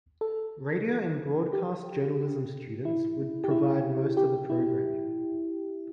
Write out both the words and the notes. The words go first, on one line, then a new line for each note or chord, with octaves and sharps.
Radio and broadcast journalism students would provide most of the programming.
A4
G4
E4
G4
E4
G4
E4